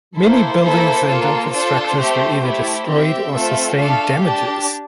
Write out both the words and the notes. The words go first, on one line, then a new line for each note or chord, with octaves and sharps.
Many buildings and infrastructures were either destroyed or sustained damages.
A#3 E4 A4 C5
A#3 E4 A4
A#3 F4 A4
D4 F4 A4 C5
A3 C4 G4
A3 E4 G4
C4 G4 E5
A3 C4 F4 A4
A3 D4 A4 F5
D4 G4 A5